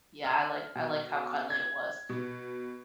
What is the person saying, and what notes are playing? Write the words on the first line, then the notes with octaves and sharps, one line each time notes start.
Yeah, I liked I liked how cuddly it was.
F6
B2
G#6
B2